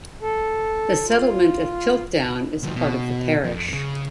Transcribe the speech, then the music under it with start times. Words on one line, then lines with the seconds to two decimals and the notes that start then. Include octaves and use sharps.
The settlement of Piltdown is part of the parish.
0.22 A4
1.07 F4
2.63 D2 F3
2.75 B2
3.44 F2
3.73 C#3